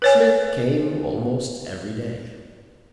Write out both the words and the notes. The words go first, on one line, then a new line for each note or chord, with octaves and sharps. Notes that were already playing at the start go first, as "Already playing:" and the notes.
Smith came almost every day.
B4 C#5 G#5